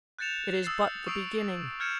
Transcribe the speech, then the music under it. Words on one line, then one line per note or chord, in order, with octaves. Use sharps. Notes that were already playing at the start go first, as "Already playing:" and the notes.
It is but the beginning!
F#6 G6 A6 C#7 E7 F7
D#6 E6 A6 C7
C#6 D#6 E6 C7 D7 F7
F6 G6 G#6 C#7 E7